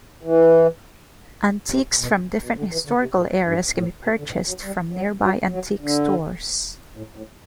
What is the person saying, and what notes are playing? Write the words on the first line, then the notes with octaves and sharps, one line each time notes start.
Antiques from different historical eras can be purchased from nearby antique stores.
E3
C3
B2
B2
D3
E3
D3
C3
A2
G2
A2
B2
D3
E3
F#3
G3
F#3
F#3
F#3
D3
A2
A2